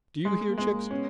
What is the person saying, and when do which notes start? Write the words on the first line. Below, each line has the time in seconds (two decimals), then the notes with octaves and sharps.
Do you hear, chicks?
0.25 G#3
0.47 A#3
0.58 G#3 B3
0.69 A#3
0.91 B3 C#4